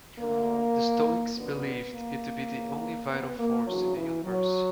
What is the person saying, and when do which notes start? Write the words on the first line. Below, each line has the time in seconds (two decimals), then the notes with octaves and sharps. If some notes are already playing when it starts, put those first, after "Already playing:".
The Stoics believed it to be the only vital force in the universe.
0.19 D2 D3 A#3
1.35 F#2 D3 B3
1.93 A#3
2.51 E2 C#3 E3
3.08 B3
3.38 A#3
3.66 D2 C#3 E3 F#3
3.95 E3
4.24 F#3